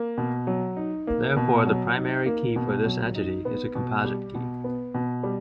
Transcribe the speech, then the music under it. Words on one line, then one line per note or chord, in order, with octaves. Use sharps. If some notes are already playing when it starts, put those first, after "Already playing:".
Therefore the primary key for this entity is a composite key.
Already playing: A#3
B2
F#3
D#4
A#3
B2
F#3
D#4
A#3
B2
F#3
D#4
B3
B2
G3
B2
B3
B2
G3